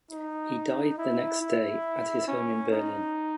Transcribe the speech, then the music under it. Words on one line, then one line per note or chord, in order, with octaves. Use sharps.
He died the next day at his home in Berlin.
D#4
E4
E4
C#4
D#4